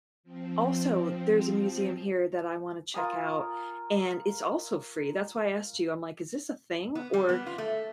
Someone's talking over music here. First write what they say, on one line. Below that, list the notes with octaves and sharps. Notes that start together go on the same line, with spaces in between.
also, there's a museum here that I wanna check out, and it's also free, that's why I asked you, I'm like, is this a thing or
F3 C4
F4 A#4 G#5 D#6
B3
G3
B3
F4
A3